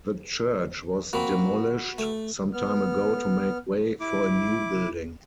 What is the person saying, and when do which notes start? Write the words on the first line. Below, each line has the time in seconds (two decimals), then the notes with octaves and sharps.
The church was demolished some time ago to make way for a new building.
1.13 A#3 C4 F#4 B5
1.98 A3
2.53 B3 F6
4.00 E4 D6